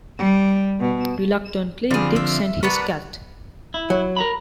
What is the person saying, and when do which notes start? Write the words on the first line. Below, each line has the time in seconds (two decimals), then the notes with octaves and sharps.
Reluctantly, Dick sent his cat.
0.18 G3
0.80 B2
1.91 D3 F3 G3 C4 G#4
2.16 E5
2.63 B3 D4 A#4 B5 C#6
3.74 E4
3.90 F#3
4.17 A#4 A#5 B5